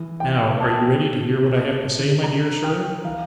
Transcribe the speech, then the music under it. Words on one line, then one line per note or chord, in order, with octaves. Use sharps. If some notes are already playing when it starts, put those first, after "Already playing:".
Now, are you ready to hear what I have to say, my dear Sir?
Already playing: E3
G5
A5
C3
A#2
E3
D3
A#5
G5
E3 F5